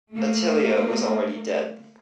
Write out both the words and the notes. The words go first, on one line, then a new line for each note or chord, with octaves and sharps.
Attilia was already dead.
A3 A#3